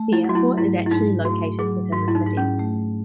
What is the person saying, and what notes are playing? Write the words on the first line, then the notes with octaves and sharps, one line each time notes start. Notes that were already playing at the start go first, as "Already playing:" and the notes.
The airport is actually located within the city.
Already playing: A3
E4
F#3 F#4
E4
G#2 E4
E4
G#2 D#4
A3 F#4
F#3 G#4
G#2 F#4
E4
D#4
G#2
C#4
A3